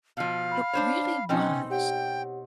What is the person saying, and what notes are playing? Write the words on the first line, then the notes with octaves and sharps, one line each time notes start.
It really was.
B2 F3 F5
B5
D4 C5 C#5 B5
B2 C4 C#4 D#4 G5 G#5
G4 C#5 F#5 G5